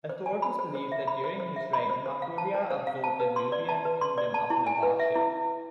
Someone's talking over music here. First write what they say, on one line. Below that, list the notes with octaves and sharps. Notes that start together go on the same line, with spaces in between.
Authorities believe that during his reign Makuria absorbed the Nubian kingdom of Nobatia.
C5
G#5
B5
C5
C5
E5
B5
C5
C5
E5
B5
C5
C5
F5
A5
C5
C5
F5
A5
B4
C6
D5
A5
B4
C6
D5
A5
E4
G#5
B4
E5
E4